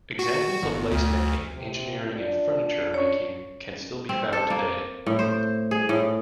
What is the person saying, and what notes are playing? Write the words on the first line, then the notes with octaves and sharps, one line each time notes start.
Examples of lace making, engineering and furniture making can still be found today.
F#4
G1
D2
C3
D4 F4 D5
C#4 C#5
C4
A4
A#3
A2
C5
G#4
A2